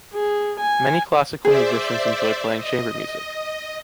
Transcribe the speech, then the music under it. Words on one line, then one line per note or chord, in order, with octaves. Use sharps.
Many classical musicians enjoy playing chamber music.
G#4
G#5
G#4 C5 D5 E5
D#5